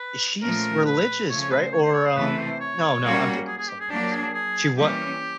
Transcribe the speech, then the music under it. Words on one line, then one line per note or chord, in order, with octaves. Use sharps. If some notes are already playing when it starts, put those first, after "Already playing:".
is she's religious, right? Or, um, no no, I'm thinking of someone else. She what
Already playing: B4
A#2 F3 A3 C#4 A#4
B4
C#3 F3 A3 C#5
C#5
B4
C5
C#5
C5
C#5
C5
C3 E3 A3 B4
C5
C#5
G3 A#3 C#4 F#4
G#4
G#4
G4
G#4
F#3 A#3 D4 G4
G#4
G#4
E3 G3 A#3 C#4 G4